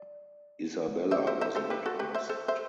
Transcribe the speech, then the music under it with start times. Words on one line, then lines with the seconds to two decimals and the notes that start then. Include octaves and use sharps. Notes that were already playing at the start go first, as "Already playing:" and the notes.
Isabella was not asked.
Already playing: D5
1.11 C5 E5
1.27 C5 E5
1.41 C5 E5
1.55 A4 C5
1.70 G4 B4
1.86 F#4 A4
1.99 G4 B4
2.15 C5 E5
2.29 A4 C5
2.48 C5 E5